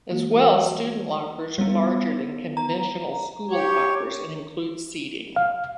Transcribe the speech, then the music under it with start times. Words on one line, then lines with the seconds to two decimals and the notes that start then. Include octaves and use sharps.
As well, student lockers are larger than conventional school lockers and include seating.
0.11 E3 G#3 A#3 F#4
1.58 G3 B3
2.57 A#5
3.51 G4 C#5
5.36 F5